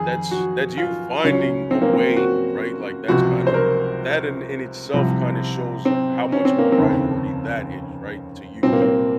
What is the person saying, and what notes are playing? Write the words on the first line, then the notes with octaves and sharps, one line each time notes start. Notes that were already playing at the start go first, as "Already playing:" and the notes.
that's that's you finding a way, right, like, that's kind of that in in itself kind of shows how much of a priority that is, right, to you,
Already playing: F2 D#3 G#4
F#4
F4
C#2 C#3 F#3 C#4
C4
A#3
C4
F#4
C#2 C3 F3 F#4
C5
A#4
C2 C3 F3
C4
C#4
C4
A#3
C4
F1 D#2 C#3
C2 A#2 F#3 C4
A#3
C4